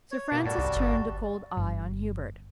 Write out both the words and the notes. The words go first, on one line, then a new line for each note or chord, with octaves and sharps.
Sir Francis turned a cold eye on Hubert.
C#5
B2 A#3
A2 G3 F#4 A5
C2
G1
G1